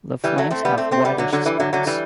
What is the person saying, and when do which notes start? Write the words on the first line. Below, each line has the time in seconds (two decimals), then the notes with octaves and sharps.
The flanks have whitish spots.
0.24 E3 G3
0.38 F#3 A3
0.51 A3 C4
0.65 G3 B3
0.77 A3 C4
0.91 A3 C4
1.05 G3 B3
1.18 D3 F#3
1.33 D3 F#3
1.46 E3 G3
1.60 D3 F#3
1.73 D3 F#3
1.87 E3 G3